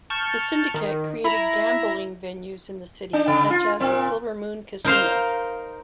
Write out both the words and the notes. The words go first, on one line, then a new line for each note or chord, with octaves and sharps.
The syndicate created gambling venues in the city such as the Silver Moon casino.
A5 C#6 F6 G6
D#3
E4 A#5
D4
C#3
F4
A#2 C4
D#4 A#4 C5 F5